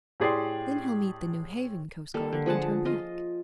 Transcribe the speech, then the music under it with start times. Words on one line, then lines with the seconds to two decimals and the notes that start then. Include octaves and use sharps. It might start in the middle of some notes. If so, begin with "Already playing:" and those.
'Then he'll meet the Newhaven coastguard and turn back.
0.20 A2 G4 G#4 D5 C6 C7
2.14 G3 A#3 A4
2.33 D3
2.46 F3 G#4 F#5 A5
2.85 F4 D#5